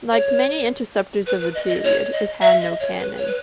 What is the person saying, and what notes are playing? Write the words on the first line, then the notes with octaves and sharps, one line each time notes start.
Like many interceptors of the period, it had no cannon.
C#5
B4
B4
D#5
D#5
C#5
D#5
E5
D#5
C#5
B4
C#5
B4